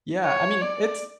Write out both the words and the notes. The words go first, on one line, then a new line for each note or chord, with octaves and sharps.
Yeah, I mean, it's
C#5
D5